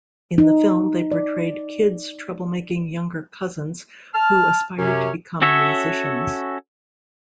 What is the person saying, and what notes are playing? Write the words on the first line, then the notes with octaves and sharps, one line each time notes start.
In the film, they portrayed Kid's trouble-making younger cousins who aspire to become musicians.
D#4
D5
A5 F6
F#2 C3 C#4
C#4 F#4 A4 C#5 E5